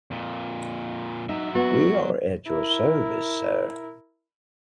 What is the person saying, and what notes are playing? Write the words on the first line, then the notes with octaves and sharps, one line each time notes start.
We are at your service, Sir.
F2 A#2
F#3 D#4 E5
B3 F#4
E4 A#4